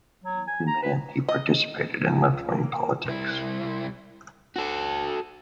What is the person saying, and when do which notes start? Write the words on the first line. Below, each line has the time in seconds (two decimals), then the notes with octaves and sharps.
As a young man, he participated in left-wing politics.
0.24 F#3
0.47 G#5
0.67 A#5
0.83 B4
1.29 D#5
2.13 C#2
2.52 A#3
3.06 C2 E4
4.56 F#4 A4